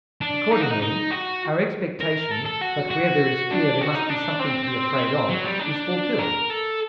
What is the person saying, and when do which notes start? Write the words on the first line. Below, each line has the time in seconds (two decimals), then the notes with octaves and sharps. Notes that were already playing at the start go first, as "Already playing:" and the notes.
Accordingly our expectation that where there is fear there must be something to be afraid of, is fulfilled.
0.21 D4
0.51 D#4
0.61 F#4
0.71 D#4
0.82 D#4
1.11 F#4
2.00 A#4
2.31 A4
2.45 A4
2.61 F#4
2.90 F#4
3.51 D4
3.81 F#4
3.95 D#4
4.10 D4
4.40 C4
5.30 F#3
5.45 G3
5.60 D4
6.19 A#4
6.50 A4